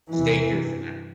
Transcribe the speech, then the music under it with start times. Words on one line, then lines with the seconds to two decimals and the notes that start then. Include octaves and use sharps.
Stay here for now.
0.13 E2 C3 E3
0.52 G2